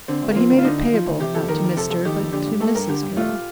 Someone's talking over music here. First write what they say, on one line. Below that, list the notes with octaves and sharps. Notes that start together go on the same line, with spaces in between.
But he made it payable, not to Mr. but to Mrs. Carroll.
D3 C4
D2
A#3
F3 C4
D2
F4
D3 D#4
D2 D#4
F3
D2
C3 G4
F2 A4
D#3 A#4
F2
C3 A4
F2 A4
D#3 G4
F2
D3 G4
G2
A3 A4
G2 A#4
D3 G4
G2
A3 F4